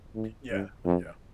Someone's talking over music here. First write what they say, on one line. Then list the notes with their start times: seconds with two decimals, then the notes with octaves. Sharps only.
Yeah. There you go.
0.15 A2
0.51 G2
0.85 F2